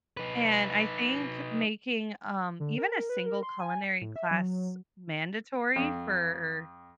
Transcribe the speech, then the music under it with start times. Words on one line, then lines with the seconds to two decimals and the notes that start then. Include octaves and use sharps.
And I think making, um, even a single culinary class mandatory for
0.17 D#4 B4
2.60 D3
2.78 A#4
3.09 B4
3.26 A#4
3.43 C6
3.60 G#5
3.84 C#7
4.02 A2
4.16 E5
4.31 F#3
5.76 F2